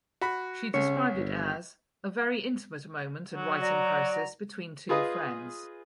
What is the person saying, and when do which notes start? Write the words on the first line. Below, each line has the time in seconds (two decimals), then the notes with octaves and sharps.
She described it as "a very intimate moment and writing process between two friends".
0.21 F#4 B5
0.74 C2 C#3 C#5
1.15 G1
3.34 F#3
3.61 F#4 D5 A#5
4.89 F4 G#4 B4 D#5